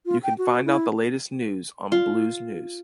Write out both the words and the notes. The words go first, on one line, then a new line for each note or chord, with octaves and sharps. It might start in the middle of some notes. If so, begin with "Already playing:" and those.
You can find out the latest news on "Blues News".
F4
G5
F#4
E4
F4